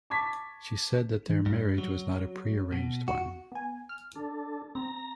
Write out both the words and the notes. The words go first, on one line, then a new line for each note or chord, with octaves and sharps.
She said that their marriage was not a pre-arranged one.
A5 C#6 D6 G#6 B6
G2
F#3
B2
F#4
B3 G#5
F6
D4 A4
C4 A#5 A#6